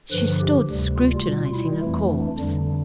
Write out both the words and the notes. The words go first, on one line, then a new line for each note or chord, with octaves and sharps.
She stood scrutinising a corpse.
G2 D3 F3 B4
G4
D2 C3 G3
F4
B2 G3 F4
E4
F2 E3 A3
D4
F2 D3 G3 D4